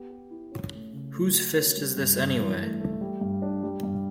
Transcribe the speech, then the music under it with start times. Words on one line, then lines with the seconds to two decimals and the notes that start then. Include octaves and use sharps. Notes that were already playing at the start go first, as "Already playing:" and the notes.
Whose Fist Is this Anyway?
Already playing: B3 G4
0.10 G4
0.31 E4
0.52 C#4
0.73 A3
0.93 C#3
1.14 A3
1.35 F#4
1.56 C#4
1.76 G3
1.97 G2
2.18 G2
2.38 E3
2.59 A3
2.80 A3
3.01 G3
3.21 G2
3.42 D4
3.63 G3
3.83 G2